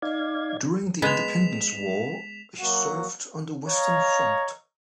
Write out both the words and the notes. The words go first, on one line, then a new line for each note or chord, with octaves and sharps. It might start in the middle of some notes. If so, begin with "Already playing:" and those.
During the Independence War, he served on the western front.
D#4 D5 F5 G#6
G#3 B3 B6 E7 F7
F#3 A#3 F#4 F#5
C#5 D#5 F5 A#5